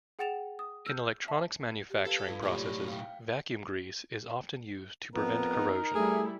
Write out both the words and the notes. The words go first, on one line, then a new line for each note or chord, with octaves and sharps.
In electronics manufacturing processes, vacuum grease is often used to prevent corrosion.
G#4 F#5 G5 A6 E7 F7
D#6
E6 F6 G6
E5 A5
G4
A4 B4 F5 G#6
G2 F4 A4
B1 A2 G4 C#5 D5
F5 G5
F2 B3 A#4
D#4
G3 A3 E4 G#4